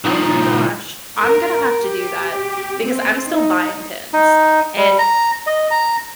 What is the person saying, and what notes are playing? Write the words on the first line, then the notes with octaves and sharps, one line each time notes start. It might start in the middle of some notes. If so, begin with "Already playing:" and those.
Oh my gosh. I'm gonna have to do that because I'm still buying pins and
D#3 F3
A#4
G4
C4
D#4
D#4
G3
A#5
D#5
A#5